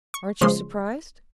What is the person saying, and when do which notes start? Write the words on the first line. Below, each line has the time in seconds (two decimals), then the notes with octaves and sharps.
"Aren't you surprised?"
0.14 C#6
0.41 C#3 F3 G#3 C6